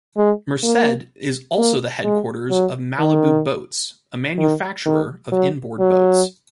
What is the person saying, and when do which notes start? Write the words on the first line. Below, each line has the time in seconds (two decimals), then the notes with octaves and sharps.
Merced is also the headquarters of Malibu Boats, a manufacturer of inboard boats.
0.17 G#3
0.63 A#3
1.58 A#3
2.04 G#3
2.51 F#3
2.99 D#3
4.38 D#3
4.86 D#3
5.32 F#3
5.79 F#3